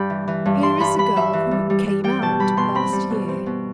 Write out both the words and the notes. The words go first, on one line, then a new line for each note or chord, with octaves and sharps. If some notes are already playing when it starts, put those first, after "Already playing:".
Here is a girl who "came out" last year.
Already playing: G2 G3 G5 B5
E3
E3
G2
G3 C6
G2 B5
G2 B5
G2 E5
E3
G3
G3
G3
G3 G5
B2 A5
G3 B5
B2 C6
C4 B5
G3
B2
C4
B2